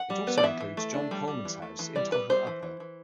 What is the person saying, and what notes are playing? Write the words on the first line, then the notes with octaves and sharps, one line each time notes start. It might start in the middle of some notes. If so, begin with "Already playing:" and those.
It also includes John Coleman's house in togher upper.
Already playing: F#5
G3
B3
D5
E3 E5
E3
A3
D4
G3
G3
E3
A3
E3
G3 D5
G3 B4
G3 C5
E3
E3
E3